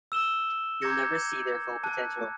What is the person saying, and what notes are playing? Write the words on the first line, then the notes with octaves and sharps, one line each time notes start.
You'll never see their full potential.
E6 E7 G7
A#5 D6 G6 G#6 A#6 C#7
A5 F#6